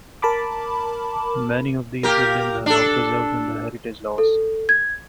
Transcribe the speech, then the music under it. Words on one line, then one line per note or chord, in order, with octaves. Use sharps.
Many of these buildings are now preserved under heritage laws.
A#4 A5 B5 D6
A#3 G4 A#4
D4 A4
A4
G#6